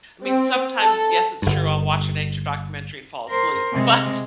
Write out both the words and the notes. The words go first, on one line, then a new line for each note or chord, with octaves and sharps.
I mean, sometimes, yes, it's true I'll watch a nature documentary and fall asleep, but
C4
A4
G1 G2
A#4 C5
C3 G#3